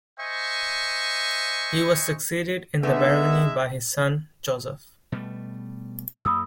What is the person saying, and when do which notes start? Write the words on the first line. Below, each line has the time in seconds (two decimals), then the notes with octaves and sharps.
He was succeeded in the barony by his son, Joseph.
0.19 C5 D#5 E5 G#5 C#6
2.83 D3 G#3 A3 B3 D#4 E5
5.12 B2 G3 A3
6.25 F#2 A#3 B5 D#6 E6